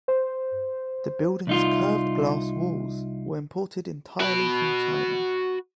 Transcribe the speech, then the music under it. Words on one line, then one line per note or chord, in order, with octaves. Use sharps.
The building's curved glass walls were imported entirely from China.
C5
C2 D#4 F4
F#4 B5